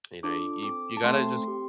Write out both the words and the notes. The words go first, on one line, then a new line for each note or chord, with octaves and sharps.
you know, you you gotta just
D4 F4 A4 D6
C4 A4 D6
A5
A3 C4 A4 C6
C4 G4